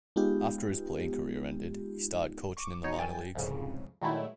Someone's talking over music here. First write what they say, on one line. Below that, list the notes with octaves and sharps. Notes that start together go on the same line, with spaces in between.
After his playing career ended, he started coaching in the minor leagues.
G#3 B3 D#4 F4 G4
C#6 D6
B2 D#4 C#5
F#2 G5 G#5 A6
C2 F2 G#2 C#3
A#2 D#3 F#3 G#3 A3 E4